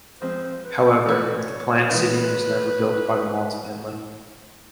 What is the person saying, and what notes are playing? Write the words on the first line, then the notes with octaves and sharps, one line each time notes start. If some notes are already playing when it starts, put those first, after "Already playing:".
However, the planned city was never built by the Mont family.
F3 G#3 C4 C5
C5
B4
A#4
A4
E3 A3 C#4 F#4 A#4 B4
C5
C#5
E3 G#3 B3 E4 B4